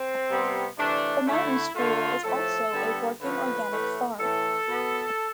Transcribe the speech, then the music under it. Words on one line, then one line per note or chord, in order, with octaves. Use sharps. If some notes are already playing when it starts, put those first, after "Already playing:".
The Mountain School is also a working organic farm.
Already playing: C4
C3 G3 B3
C3 E3 A3 D4
D3 A3 E4
D3 A3 F4
A2 F3 A3 A4
D3 G3 B3
D3 F3 A3 B4
A2 E3 A3
A2 E3 A3 A4
B2 B3